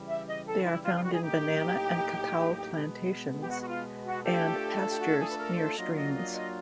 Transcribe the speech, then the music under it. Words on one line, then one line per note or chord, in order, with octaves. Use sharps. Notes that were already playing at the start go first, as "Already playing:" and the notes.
They are found in banana and cacao plantations, and pastures near streams.
Already playing: C#3 E3 G3
E5
D#5
A4
E4
F4
F4
F#4
G#4
A2 F#3 A#3 D#4 G4
B2 G#3 B3
G4
F#4
F#4
F4
F#4
A3 D4 F4 G4 A4
G4
F#4
G#4
B4
A#4
C5
F#3 A#3 D4 F4 D#5
D#5
D#5
D#5